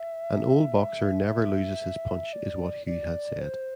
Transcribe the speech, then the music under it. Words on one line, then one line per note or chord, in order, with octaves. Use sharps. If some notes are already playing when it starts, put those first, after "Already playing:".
An old boxer never loses his punch is what Hugh had said.
Already playing: E5
E5
D5
D5
C5